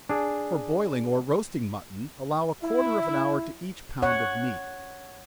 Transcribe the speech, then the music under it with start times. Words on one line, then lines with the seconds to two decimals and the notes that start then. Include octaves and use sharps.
For boiling or roasting mutton, allow a quarter of an hour to each pound of meat.
0.09 D4 G#4
2.63 E4
4.02 C#5 F#5